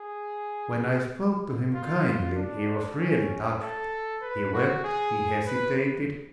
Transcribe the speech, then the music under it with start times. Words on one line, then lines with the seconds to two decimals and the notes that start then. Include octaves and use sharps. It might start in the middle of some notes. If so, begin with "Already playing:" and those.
When I spoke to him kindly he was really touched; he wept, he hesitated.
Already playing: G#4
1.74 F4
2.36 D4
2.98 C#4
3.60 A4
4.22 B4
4.53 F#4
4.84 G#4
5.46 B4